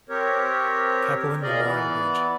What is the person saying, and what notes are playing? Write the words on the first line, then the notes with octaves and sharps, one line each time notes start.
Cappelen Memorial Bridge.
C4 G4 A#4 C#5
A#2 C#3 G#4 A#4 D5 D#5
E3 B3 D5